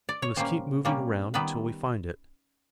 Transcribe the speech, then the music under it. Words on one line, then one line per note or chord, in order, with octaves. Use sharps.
We must keep moving around until we find it.
D5
C#5
A#2 G3 A#3 C#4 C5
A#2 G3 A#3 C#4
D#3 G3 B3 B4